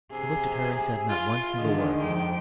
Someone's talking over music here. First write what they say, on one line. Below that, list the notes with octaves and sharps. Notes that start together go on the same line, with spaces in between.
I looked at her and said not one single word.
C3 G#4
F4
D3 D#3 G#3
F2 G5